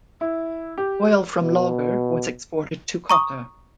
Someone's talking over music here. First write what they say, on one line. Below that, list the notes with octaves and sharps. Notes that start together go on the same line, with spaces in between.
Oil from Logger was exported to Kotter.
E4
G4
B2
A#5 C#6 D#6